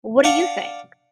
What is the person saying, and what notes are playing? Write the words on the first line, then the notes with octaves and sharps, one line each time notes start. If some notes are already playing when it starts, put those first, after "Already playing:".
What do you think?
D4 F5 F#5